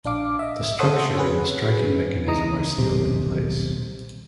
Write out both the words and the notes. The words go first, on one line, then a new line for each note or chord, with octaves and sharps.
The structure and the striking mechanism are still in place.
A#1 D4 F5 D6
D#5 E5
A4 C5 C#5 F#5 D#6 E6
C#4 F#4 G#4 B4
C#2 E3 D#4 A#5 D#6
D#1 B1 C3